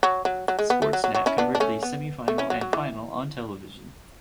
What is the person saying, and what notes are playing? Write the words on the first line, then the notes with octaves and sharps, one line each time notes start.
Sportsnet covered the semifinal and final on television.
F#3
F#3
F#3
G#3
B3
A3
F#3
F#3
F#3
C#4 E4
B3 D4
D4
A3 C#4
B3
A3
C#4 E4
F#3
F#3
E3